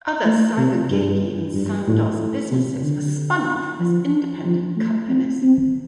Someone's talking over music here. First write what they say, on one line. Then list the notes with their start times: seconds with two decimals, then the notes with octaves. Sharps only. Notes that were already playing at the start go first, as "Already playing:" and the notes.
Other Ciba-Geigy and Sandoz businesses were spun off as independent companies.
0.25 A3
0.57 C3
0.91 G2
1.54 G2
1.87 A2
2.51 C3
2.83 D3
3.80 F3
4.45 F3
4.76 A3
5.09 C4
5.42 C4